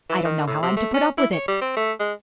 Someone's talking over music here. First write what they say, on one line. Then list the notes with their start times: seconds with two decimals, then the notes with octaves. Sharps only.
I don't know how I'm to put up with it.
0.09 E3
0.25 D#3
0.47 A2
0.63 C3
0.77 A3
0.94 C#4
1.18 E4
1.32 C#5
1.48 G3
1.61 C4
1.77 A3
2.00 G#3